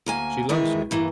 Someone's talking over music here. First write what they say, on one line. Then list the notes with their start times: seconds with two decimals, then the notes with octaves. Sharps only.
She loves you.
0.06 D2 A#3 G#5
0.49 D#3 E3 G#3 E5
0.91 G2 E3 A#3